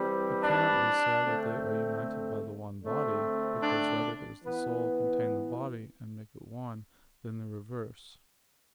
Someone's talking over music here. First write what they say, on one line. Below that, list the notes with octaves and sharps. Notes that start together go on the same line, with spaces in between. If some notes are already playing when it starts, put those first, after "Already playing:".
It cannot be said that they are united by the one body; because rather does the soul contain the body and make it one, than the reverse.
Already playing: E3 G3 C4
D4
D3 A3 C4
D3 A3 C4
D4
E3 B3